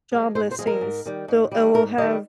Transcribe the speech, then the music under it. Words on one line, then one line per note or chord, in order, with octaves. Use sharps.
job listings so it will have
F3 G#3
G#2 C5
C5
F3 G#3 G#4
A#4
G#2
D#3 G3
G#2
D#3 G3
G#2 A#4
D#3 G3 D#5